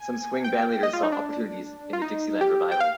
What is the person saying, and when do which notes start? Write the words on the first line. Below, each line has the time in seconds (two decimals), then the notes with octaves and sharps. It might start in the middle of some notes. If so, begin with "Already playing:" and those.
Some swing bandleaders saw opportunities in the Dixieland revival.
Already playing: G#5
0.44 G5
0.83 D#5
0.93 F4
1.03 D#4
1.12 D4
1.93 F4
2.02 D#4
2.41 G4
2.72 G5
2.80 F5